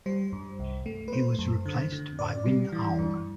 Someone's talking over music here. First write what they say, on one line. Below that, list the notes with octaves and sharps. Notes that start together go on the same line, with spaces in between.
He was replaced by Win Aung.
G3 C5
G2
C2
A3
B4
A3 C5
F#2
D3
D3
A2 D5
G3
E3
G2